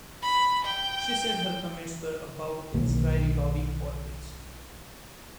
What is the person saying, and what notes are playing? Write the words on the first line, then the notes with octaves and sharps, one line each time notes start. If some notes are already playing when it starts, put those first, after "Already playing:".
She said her comments were about the Israeli lobby in politics.
B5
G5
B1 D#3 A#3